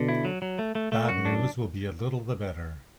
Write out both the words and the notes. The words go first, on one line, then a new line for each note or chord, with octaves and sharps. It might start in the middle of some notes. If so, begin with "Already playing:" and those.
Bad news will be a little the better.
Already playing: B2 D3
E4
F#3
F#3
A3
A3
A3
F#2 F#4
D4